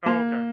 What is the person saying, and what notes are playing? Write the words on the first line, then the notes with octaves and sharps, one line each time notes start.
Oh, okay.
A#3